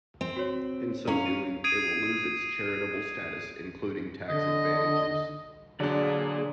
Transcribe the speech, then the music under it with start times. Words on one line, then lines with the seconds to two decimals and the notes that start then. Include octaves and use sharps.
In so doing it will lose its charitable status including tax advantages.
0.21 C4
0.36 F#4 C#5
1.07 C#4 F5 A#5
1.25 D#7
1.64 D#6 G#6 C7 D7 D#7
4.28 D3 D#5
5.80 A#2 D3 F#3 D4 G#4 D5